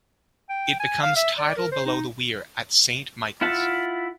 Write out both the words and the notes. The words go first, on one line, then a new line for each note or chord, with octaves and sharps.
It becomes tidal below the weir at Saint Michael's.
G5
G#5
F5
E5
D5
A#4
C5
D#4
E4 F4 E5 F#5 A5